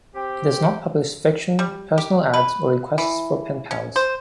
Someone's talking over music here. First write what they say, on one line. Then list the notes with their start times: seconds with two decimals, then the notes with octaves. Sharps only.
It does not publish fiction, personal ads, or requests for pen pals.
0.15 C4 G4
1.59 G3
1.98 G4
2.34 B4
2.98 E3
3.71 C#4
3.96 C5